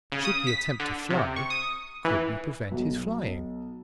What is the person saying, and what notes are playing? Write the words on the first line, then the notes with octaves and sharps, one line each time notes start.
Should he attempt to fly, could we prevent his flying?
C#3
D#6
B6
D3
C3
C#6
D#6
E3
B1